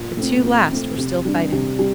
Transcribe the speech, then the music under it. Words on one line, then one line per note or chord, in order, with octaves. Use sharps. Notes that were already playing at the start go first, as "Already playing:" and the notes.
The two last were still fighting.
Already playing: A#2
A3 C4
A#2
A3 C4
C3
G3 D4 G4
C3
G3